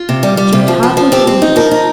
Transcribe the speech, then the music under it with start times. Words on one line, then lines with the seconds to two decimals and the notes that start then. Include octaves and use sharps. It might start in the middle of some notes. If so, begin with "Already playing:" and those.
She could hardly believe it.
Already playing: F4
0.09 C3
0.23 G3
0.37 G3
0.53 C3
0.68 F3
0.83 F3
0.97 F3
1.12 C4 G4
1.27 C4
1.42 D#4
1.56 F3 A#4
1.71 D#4